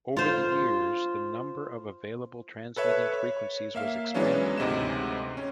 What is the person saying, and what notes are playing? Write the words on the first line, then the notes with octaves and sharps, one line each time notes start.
Over the years, the number of available transmitting frequencies was expanded.
F4 C5
A4 B4 C#5 E5
C#5
A#3 E5 F5
E3 F#3 G#3 B3 C#4 D4
D2 G#2 C3 D#5 E7
C#4